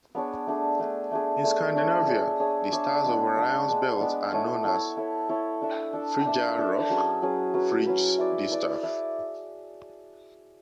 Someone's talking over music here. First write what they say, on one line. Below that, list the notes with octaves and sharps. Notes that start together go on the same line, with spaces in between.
In Scandinavia, the stars of Orion's belt are known as "Friggjar rockr", "Frigg’s distaff".
B3 D4 G#4 C#5
A3 D4 G#4
A3 D4 G#4
A3 D4 G#4
A3 D4 G#4
D4 G#4 C#5 E5
D4 G#4 C#5 E5
D4 G#4 C#5 E5
D4 G#4 C#5 E5
G#3 B3 D4
G#3 B3 D4
G#3 B3 D4
G#3 B3 D4
E4 A4 C#5
E4 A4 C#5
E4 A4 C#5
E4 A4 C#5
D4 A4 E5
D4 A4 E5
D4 A4 E5
D4 A4 E5
F#3 C#4 G#4 B4
F#3 C#4 G#4 B4
F#3 C#4 G#4 B4
F#3 C#4 G#4 B4
E4 B4 D5
E4 B4 D5
E4 B4 D5